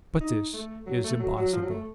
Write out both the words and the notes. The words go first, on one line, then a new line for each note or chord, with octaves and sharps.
But this is impossible.
D#4
A3
F#3
A3
F#3
F#3
F3
F#3
A3